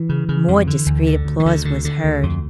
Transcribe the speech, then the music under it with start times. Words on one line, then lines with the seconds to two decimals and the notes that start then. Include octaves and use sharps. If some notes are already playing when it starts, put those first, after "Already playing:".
More discreet applause was heard.
Already playing: E3
0.09 C#3
0.29 C#3
0.48 F2
0.67 D3
0.86 D2
1.06 D3
1.25 D2
1.40 E3
1.45 D2 D3
1.65 D3
1.85 D3
2.04 D2
2.23 F2